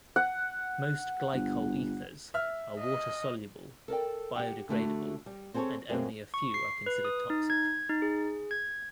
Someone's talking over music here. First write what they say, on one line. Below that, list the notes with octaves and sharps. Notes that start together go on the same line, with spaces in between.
Most glycol ethers are water-soluble, biodegradable and only a few are considered toxic.
F#5
G1
E5 F6
D#5
A4 A#4 D5 G5
G4 F#5 G5
D3 A3 F#4
G3
C4 G#4 A4 C5 C#5
F#2 A3 A#3 C4 G#4
C#6
C7
B4
D#6
D#4
G#6
D#4
G#4
G#6